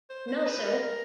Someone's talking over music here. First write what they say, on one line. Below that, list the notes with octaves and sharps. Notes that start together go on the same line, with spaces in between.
No sir!
C5
C5
B4
A#4
A#4